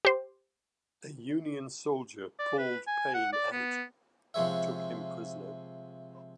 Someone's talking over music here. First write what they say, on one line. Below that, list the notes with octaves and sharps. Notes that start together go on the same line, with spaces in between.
A Union soldier pulled Payne out and took him prisoner.
G4 C5
D5
B4
G#5
F#5
D5
B3
C3 F3 G#3 C#5 E5